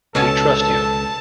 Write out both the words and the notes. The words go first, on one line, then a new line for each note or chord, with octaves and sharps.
We trust you.
C#2 B2 C#4 A4 G#5 A5